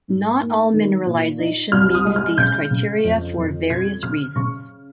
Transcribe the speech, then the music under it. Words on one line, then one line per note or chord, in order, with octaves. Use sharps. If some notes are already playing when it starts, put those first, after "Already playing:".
Not all mineralization meets these criteria for various reasons.
G#2
A#3
D#3
A#2
D#4
C2 F6
D#6
G#3
F6
C#3 G6
C#3
F2
F2
C#3 G#6
C#3 F6
C#3 C#6